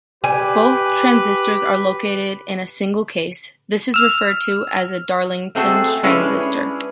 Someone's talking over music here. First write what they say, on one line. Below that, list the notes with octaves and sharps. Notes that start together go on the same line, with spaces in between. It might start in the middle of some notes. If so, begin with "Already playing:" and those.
If both transistors are located in a single case, this is referred to as Darlington-Transistor.
G4 B4 G#5
E6 F6
G#3 A3 C4 F#4 G#4 A4
G#3 C#4 D4 E4 G#4 B4